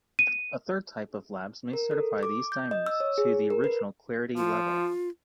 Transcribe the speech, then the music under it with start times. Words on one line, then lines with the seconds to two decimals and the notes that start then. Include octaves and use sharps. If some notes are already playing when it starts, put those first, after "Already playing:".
A third type of labs may certify these diamonds to the original clarity level.
0.19 D#7
1.73 A#4
1.91 A4
2.23 D6
2.52 G6
2.71 D#5
2.86 E6
3.00 C#5
3.18 G#4
3.50 A#4
3.64 B4
4.37 F3 F4